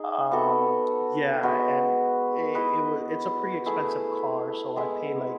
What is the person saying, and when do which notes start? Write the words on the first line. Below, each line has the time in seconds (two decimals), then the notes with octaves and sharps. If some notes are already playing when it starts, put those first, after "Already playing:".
um, yeah, and it it wa it's a pretty expensive car, so I pay like
Already playing: D#4 G#4 D#5
0.32 B3 F#4 A4
1.43 G#3 B3 F#4 B4
2.55 E4 B4 D#5
3.66 A3 E4 G#4
4.76 G#3 B3 E4